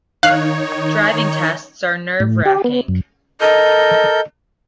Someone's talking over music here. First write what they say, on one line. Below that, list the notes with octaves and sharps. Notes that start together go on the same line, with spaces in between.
Driving tests are nerve-racking.
D#3 D#4 C#5 F5 F#6
A2
G4
B3
F#2
A4 A#4 D#5 G6